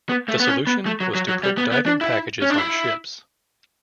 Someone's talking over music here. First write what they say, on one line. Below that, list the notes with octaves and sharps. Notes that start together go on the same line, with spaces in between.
The solution was to put diving packages on ships.
B3
A3
B3
C#4
B3
A3
F#3
F#3
F#3
G3
B3
B3
D4
E4
C#4
D4
E4